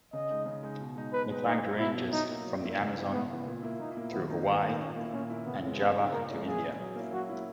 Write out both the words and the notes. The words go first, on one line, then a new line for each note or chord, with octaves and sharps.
The climate ranges from the Amazon through Hawaii and Java to India.
C#3 D#5
G#3 D#4
C#3
G#3 D#4
B2
G#3 D#4
B2 B4
G#3 D#4
B2 D#4
F#3 B3 E4
B2 E4
F#3 B3 E4
F#3 D#4
A#3 E4
F#3
A#3 E4
C#3
E3 B3
C#3 B3
E3 B3
A#2
A#3 E4
A#2 D#4
A#3 E4
D#3 B3
A#3 D#4
D#3 B3
A#3 D#4
A#2 C#4
A#3 E4
A#2 C#4
A#3 E4
C#3 B3
G#3 C#4 E4
C#3 B3
G#3 C#4 E4
A#2 A#4
G#3 C#4 E4
A#2 G#4
G#3 C#4 E4
F#3
A#3 C#4 E4
F#3 F#4
A#3 C#4 E4